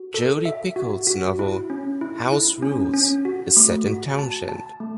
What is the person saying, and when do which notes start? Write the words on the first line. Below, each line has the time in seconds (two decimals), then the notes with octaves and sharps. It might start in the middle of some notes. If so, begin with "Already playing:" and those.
Jodi Picoult's novel "House Rules" is set in Townshend.
Already playing: F#4
0.14 A4
0.45 E5
0.76 F#4
1.07 F#4
1.39 E4
1.70 C#4
2.01 E4
2.32 E4
2.62 C#4
2.94 C#4
3.25 F#4
3.57 A3
3.87 F#4
4.19 A5
4.49 A5
4.80 A3